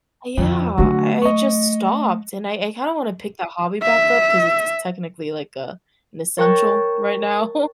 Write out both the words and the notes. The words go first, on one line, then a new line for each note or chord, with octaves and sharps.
yeah, I I just stopped, and I I kind of want to pick that hobby back up 'cause it's c technically like a an essential right now.
F2 D3
D3 F#3 A3 F#4
D#5 C#6
E5
A#4 C#5 G5 A5 C#6 F#6